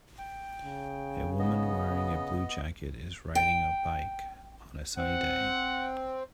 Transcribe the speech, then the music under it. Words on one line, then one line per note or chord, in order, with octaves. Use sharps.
A woman wearing a blue jacket is riding a bike on a sunny day.
G5
C#3
B3 D#5
G5
C4 F#5